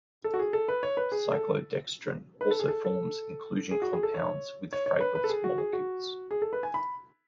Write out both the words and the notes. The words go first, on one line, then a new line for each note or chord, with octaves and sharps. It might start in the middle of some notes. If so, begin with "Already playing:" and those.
Cyclodextrin also forms inclusion compounds with fragrance molecules.
A4
F#4
G#4
A4
B4
C#5
B4
G#4
A4
B4
A4
G#4
A4
A4
G#4
F#4
G#4
A4
C#5
C#5
C#5
B4
B4
A4
G#4
F#4
G#4
F#4
G#4
A4
B4
G#5
B5